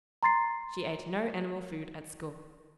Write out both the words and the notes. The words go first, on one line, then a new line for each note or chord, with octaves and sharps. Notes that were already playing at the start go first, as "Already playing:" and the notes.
She ate no animal food at school.
A#5 C6 A6 C7